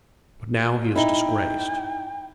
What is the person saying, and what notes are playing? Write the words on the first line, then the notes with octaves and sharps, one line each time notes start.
But now he is disgraced.
D#4 E4 G5